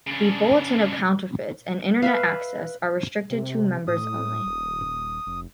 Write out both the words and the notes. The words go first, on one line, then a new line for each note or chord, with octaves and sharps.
The Bulletin of Counterfeits and Internet-access are restricted to members only.
C#3 D4
B4 E5 F5
C3
A2 D#6
D#1
F1